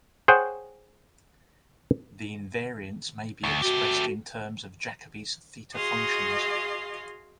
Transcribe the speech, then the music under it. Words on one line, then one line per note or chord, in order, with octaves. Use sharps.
The invariants may be expressed in terms of Jacobi's theta functions.
G#4 C5 C#5 F#5 G5
D2
A3 F#4 G4
F#4 G#4 D#5 F5 C6